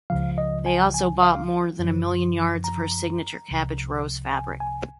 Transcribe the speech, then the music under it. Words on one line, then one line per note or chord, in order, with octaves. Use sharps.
They also bought more than a million yards of her signature cabbage rose fabric.
C#2 C#3 F3 F5
D#5
G#5
G#5
F5
F#2 C#3 F3
A#5
C2 C3 F3
G#5
G#5